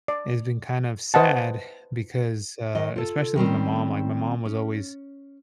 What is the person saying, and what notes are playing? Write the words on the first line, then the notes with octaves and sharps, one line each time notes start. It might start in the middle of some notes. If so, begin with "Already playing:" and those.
it's been kind of sad because, uh, especially with my mom like, my mom was always
D5
B4 C5 D#5 F#5 A5
D#3 D#5
F4 A4
D#3 G3 C4 C#4
C#4